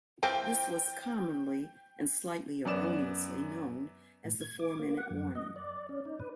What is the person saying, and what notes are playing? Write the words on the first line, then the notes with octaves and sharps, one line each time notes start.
This was commonly, and slightly erroneously, known as the Four minute warning.
E3 F3 C4 G5
F#2 B3 D5 E7
A2
G#6
D6
A#3
F#5
F#2
D#5
D5
C#4
D#4
B4